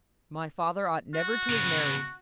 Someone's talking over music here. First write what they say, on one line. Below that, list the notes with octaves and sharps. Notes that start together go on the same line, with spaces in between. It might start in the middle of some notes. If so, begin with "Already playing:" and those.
My father ought never to have married.
F#4
C#3 B3